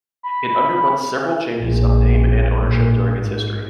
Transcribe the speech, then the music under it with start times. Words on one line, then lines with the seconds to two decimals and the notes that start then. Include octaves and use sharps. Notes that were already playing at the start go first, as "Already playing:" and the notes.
It underwent several changes of name and ownership during its history.
0.23 B5
1.60 A#1
2.62 A#2
3.19 G#2